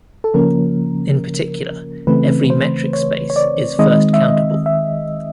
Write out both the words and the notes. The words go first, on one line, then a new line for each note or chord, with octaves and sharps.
In particular, every metric space is first-countable.
A4
C#3 F3 A#3 C#4 A#4
C#3 E3 A3 C4 B4
C5
C#5
C#5
D5
D#3 G#3 C4 D#5
E5
D#5
E5